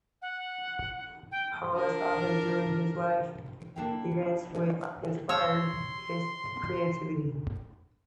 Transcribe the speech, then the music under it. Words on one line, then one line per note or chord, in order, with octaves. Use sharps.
Pomus often drew on life events which inspired his creativity.
F#5
G5
D4 A#4
A#3 D4 E4 A4 F5 G5
C#5 C6 E6